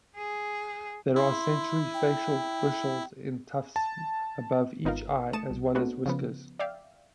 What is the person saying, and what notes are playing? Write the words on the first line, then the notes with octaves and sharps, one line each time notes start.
There are sensory facial bristles in tufts above each eye as well as whiskers.
G#4
E4 C6
G5
A5
G#1 B3 D#4 F4 A#4 F5
A3 A5 D#6 C#7 E7
C2
A3 B3 C4 D4 F#4
C#3 F3 B3
D5 E5 F5 G5